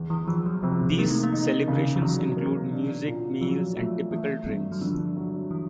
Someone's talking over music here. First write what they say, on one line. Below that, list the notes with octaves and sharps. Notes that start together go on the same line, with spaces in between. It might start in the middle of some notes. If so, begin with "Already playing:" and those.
These celebrations include music, meals and typical drinks.
Already playing: E2
E3
E2 F3
F#3
C3 F3
D#3 A#3
A3
A#3
D#4
C#3
F3
E3 F#3
A#3
D4
A#2
F3 F#3
F3 A3
E3 A3
G2
F#3
D3 F3
F#3
E3